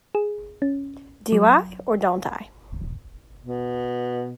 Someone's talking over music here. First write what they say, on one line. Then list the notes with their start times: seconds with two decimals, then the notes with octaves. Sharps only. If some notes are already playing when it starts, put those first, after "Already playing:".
Do I, or don't I?
0.15 G#4
0.62 C#4
1.32 F#3
3.43 B2